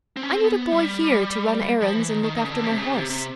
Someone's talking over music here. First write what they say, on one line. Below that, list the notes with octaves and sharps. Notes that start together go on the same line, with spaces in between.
I need a boy here to run errands and look after my horse.
C4
C#4
C4
B3
G3
F3
E3
D#3
D#3
D#3
C#3
D3
F3
C3
C#3
C3
C3